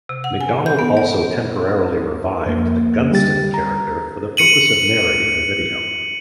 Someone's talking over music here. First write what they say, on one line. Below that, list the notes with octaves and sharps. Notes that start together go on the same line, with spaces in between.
McDonald also temporarily revived the Gunston character for the purpose of narrating the video.
C3
F#5
G#5
G6
B3
D5
F2 A#3
D3 G3 G4 A6
A#5
C#7 D#7 F#7